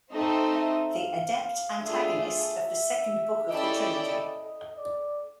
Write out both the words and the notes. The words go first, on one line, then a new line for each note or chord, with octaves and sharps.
The Adept antagonist of the second book of the trilogy.
A3 C4 D#4
E5
F5
A3 D4 F4 G#4 E5
E5
C#4 E4 A4 D5 D#5 G5
D5